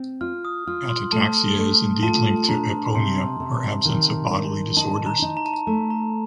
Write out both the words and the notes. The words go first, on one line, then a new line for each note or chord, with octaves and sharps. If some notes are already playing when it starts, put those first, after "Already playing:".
Atataxia is indeed linked to aponia or absence of bodily disorders.
Already playing: C4
F4 F6
D#6
F4 F6
C6
A3 A5
A3
F4 A5
D4 A#5
C3 C6
C3
D#3
D#3
D#4 A5
A#5
D#4
A#5
A5
A#5
A3 A5
A#5